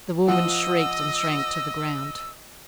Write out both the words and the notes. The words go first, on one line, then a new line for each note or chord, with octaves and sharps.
The woman shrieked and shrank to the ground.
F3 D#5 F#5 E6